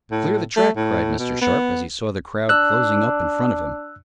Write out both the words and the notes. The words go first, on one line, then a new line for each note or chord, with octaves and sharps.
"Clear the track!" cried Mr. Sharp, as he saw the crowd closing up in front of him.
A2
A3
A2
B2
B3
D4 E6 F#6